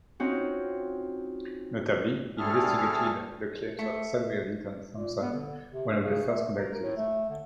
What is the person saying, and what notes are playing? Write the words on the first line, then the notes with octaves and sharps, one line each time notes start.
Notably, he investigated the claims of Samuel Eaton Thompson, one of the first contactees.
C4 C#4 D#4 F4 F#4
D2 G3 A3 G#4 A4 F6
A3
A#2
B3
D3
C3
G2
C#3
A3
A#4
A2
A3
D3